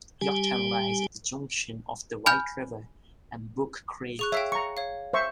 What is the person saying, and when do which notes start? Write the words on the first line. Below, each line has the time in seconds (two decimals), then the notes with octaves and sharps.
Yorktown lies at the junction of the White River and Buck Creek.
0.21 G3 G4 G#5
2.26 G#5 B5 F6 G6
4.19 G#4 C#6 F#6
4.32 C#5 E5 F5 G5
4.52 A#5 C#6 C#7
4.77 C#5 F5
5.13 C5 E5 C#6